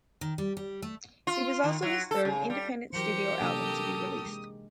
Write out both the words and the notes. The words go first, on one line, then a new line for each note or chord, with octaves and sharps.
It was also his third independent studio album to be released.
D#3
G3
G3
A3
F4
D#3
F#3
A4
C#3
G3
E3 F#3 G4 A#4 C5 C#7
C3 A#3 D4 A4 D#6
G#3